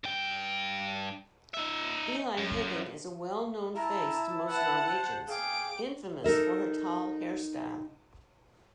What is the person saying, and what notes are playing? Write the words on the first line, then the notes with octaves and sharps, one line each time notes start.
Eli Hagen is a well-known face to most Norwegians, infamous for her tall hairstyle.
G2 G5
D#4 E5
F#2
E4 A5 A#5
B4 F#5 A5
C5
G#4 F5 G5 D6
D#4 A4 A#4 E5